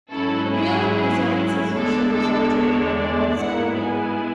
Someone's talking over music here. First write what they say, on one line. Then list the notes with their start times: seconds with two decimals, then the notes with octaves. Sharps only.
Revealing these answers usually resulted in a mild scolding.
0.11 G#2 F#3 C#4 E4 A4
0.52 G#4
1.74 E2 D3 G#3 D4 A4
2.15 A4
2.56 C#5
2.97 D5
3.37 G#2 G#3 B3 E4 F#5
3.77 G#5